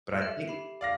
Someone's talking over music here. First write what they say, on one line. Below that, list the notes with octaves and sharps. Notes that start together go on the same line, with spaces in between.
But I think
G4 A4 E5
G4 B5 C7
D5 F5 A#6